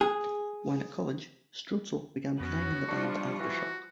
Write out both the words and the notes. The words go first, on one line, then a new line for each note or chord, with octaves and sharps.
While at college Stroetzel began playing in the band Aftershock.
G#4
F2 B3 C#4 F#4
F3 G3 D4 F4 C#6
E3 F#4